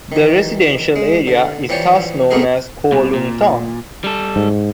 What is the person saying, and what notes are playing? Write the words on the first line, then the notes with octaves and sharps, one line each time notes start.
The residential area is thus known as Kowloon Tong.
D#3 E3
G#3
D3
E3 F3 G3 G4 C#5 D5
A3 B3 C4 E4 G#4 A#4
C2 B2
A#2
G3 A4
G#2